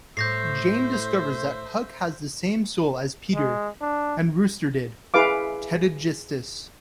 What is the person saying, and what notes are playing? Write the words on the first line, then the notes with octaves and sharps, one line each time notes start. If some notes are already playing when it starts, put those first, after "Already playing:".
Jane discovers that Puck has the same soul as Peter and Rooster did: Tetigistus.
A2 C5 E5 G6 A#6 C7
G#3
D4
E4 G#4 B4 F5 D6